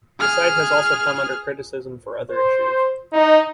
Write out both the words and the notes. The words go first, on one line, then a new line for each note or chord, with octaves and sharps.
The site has also come under criticism for other issues.
G#4 F6
C5
D#4